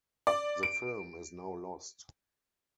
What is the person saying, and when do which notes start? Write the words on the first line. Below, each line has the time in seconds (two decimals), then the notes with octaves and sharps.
The film is now lost.
0.27 D5
0.63 D7